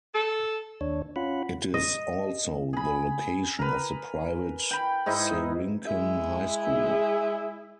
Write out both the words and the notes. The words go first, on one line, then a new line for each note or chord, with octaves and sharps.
It is also the location of the private Seirinkan High School.
A4
D#2 D4 C#5
C#4 F4 F#5 B5
D#5
G#4 B5
A#4 B4
G5 B5
G#2 D#4 E4 D#5
G#3 E4 G#4 E5